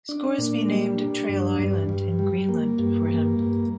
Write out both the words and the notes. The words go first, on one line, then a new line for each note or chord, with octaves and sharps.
Scoresby named Traill Island in Greenland for him.
D4
A#2
G3
D4
G2
G2
G2
G3
A#3
G2
A#3
G2